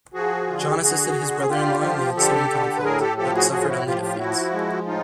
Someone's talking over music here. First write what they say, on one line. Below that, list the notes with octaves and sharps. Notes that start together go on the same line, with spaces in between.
John assisted his brother-in-law in the ensuing conflict, but suffered only defeats.
F3 F#4 G#4
D3 F4
F#4
G4
D3 F#4 G#4
D3
G#4
D3 F4 G4
F3
D3 G4 A4
D3
B4
A2 G#4 A#4
G4 A4
F3 G4 A4
F#4 G#4
A2 F#4 G#4
F4
E4 F#4
F3 F4 G4
F4 G4
F3 E4 F#4
G#3
A2 D#4 F4